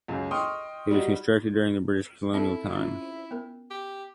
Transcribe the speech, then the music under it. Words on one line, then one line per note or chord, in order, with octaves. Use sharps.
It was constructed during the British colonial time.
C#2 F#2
D#5 G5 C6 C#6 D#6 F6
G3 D#4 F#4
C4 D#4 E4 A4
C#4 F4
B3 A#4
G4